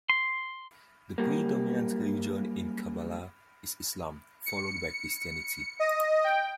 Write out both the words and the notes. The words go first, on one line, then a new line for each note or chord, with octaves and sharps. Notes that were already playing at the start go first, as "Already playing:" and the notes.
The predominant religion in Kabala is Islam, followed by Christianity.
C6
F#2 G3 A#3
C#7
D#5
G5